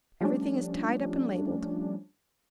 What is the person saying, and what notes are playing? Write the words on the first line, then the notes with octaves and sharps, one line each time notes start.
Everything is tied up and labelled.
F3 G3 A3 C#4 D4